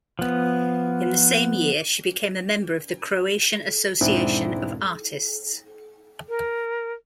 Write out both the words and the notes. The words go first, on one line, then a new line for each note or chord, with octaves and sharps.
In the same year, she became a member of the Croatian Association of Artists.
F3 B3
E1 G#2 C4 D4 E4
A#4